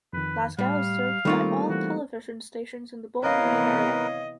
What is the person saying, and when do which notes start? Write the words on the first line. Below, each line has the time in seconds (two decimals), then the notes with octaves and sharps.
Glasgow is served by all television stations in the Bowling Green area.
0.13 F2 D#3 B4
0.59 A2 G3 F5
1.25 D#3 G3 A3 A#3 C4 D#4 F4 C#6
1.69 E3 F#4
3.23 C3 E3 B3 A#4 B4 C#5 D#5 F5